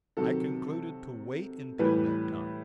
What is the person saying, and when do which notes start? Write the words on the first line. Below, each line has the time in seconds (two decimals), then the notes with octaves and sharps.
I concluded to wait until that time.
0.17 C3 D#3 F#3 A4
1.79 A2 E3 G3 B4